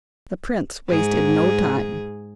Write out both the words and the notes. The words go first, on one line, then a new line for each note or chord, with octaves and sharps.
The prince wasted no time.
G#2 G#4